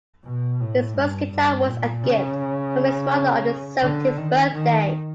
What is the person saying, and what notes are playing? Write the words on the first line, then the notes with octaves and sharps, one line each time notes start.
His first guitar was a gift from his mother on his seventeenth birthday.
B2
A2
G2
G2
A#2
C#3
D3
D#3
D#3